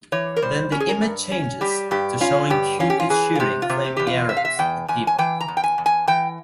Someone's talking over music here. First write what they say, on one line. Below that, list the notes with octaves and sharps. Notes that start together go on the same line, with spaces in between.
Then the image changes to showing cupid shooting flaming arrows at people.
E3 C#5
A#4
G3 C5
C#4 A#4
G#4
A#4
G2
C#4
G3 G4
G2 G4
C#4 F4
G2 G4
C#4 F4
G4
F4
E3 G#4
F4
C3 G4
F4
C3
G4
E2 G4
F4
C3 E5
F5
E5
E2 G5
E2 G#5
G#5
E3 G5
A#5
E2
G5
G#5
E2
G#5
E3 G5